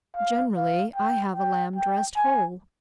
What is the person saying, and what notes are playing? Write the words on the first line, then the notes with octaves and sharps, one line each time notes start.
"Generally, I have a lamb dressed whole."
F5
F5
G5
G5
G5
G#5